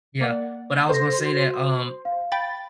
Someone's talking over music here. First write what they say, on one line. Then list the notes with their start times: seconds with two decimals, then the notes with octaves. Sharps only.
yeah. But I was gonna say that, um,
0.21 A#3 D5 F#5
0.89 A4 C5 A#6
1.19 F#4
2.05 F5
2.32 G5 B5 A6